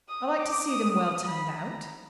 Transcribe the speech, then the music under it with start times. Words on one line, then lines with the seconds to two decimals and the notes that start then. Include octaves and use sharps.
"I like to see them well turned out."
0.09 D#6
0.38 D6
0.68 D#6
0.97 D#6
1.27 B5
1.56 A#5